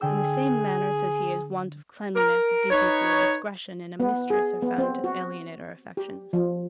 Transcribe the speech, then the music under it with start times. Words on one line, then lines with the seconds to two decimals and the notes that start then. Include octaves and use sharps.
In the same manner, says he, as want of cleanliness, decency, or discretion in a mistress are found to alienate our affections.
0.01 D3 G#4 G5 E6
2.16 A#4
2.71 D#4 B4 C#5
4.00 B3
4.30 G#4
4.62 B3
4.78 C4
5.04 F#4
5.97 G4
6.33 F3